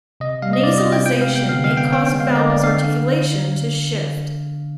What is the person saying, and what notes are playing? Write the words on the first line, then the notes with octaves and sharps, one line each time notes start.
Nasalization may cause a vowel's articulation to shift.
C3 D#5
G3 F5
D#5
C3 D5
D#5
C3
G5
G#3 G5
F5
B3
G5
D3 F5
F5
B3
G5
B3 G5
G5
G#3
F5
D3 D#5
D5
D3
F5
D3